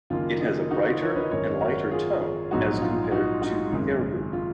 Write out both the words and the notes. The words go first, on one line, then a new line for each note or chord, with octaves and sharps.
It has a brighter and lighter tone as compared to the "erhu".
F#1 F#2 D#3 A#3 F4
D#4
D#4 F#4
F4
A#4 C#5
B4 D#5
G#1 F#2 D#3 A#4 C#5
F#4 A#4
F4 G#4
A#1 G#2 F#3 B3 D#4 F#4
F4
D#4 F#4
D#4 F#4
G#1 F#2 C#3 G#3
F4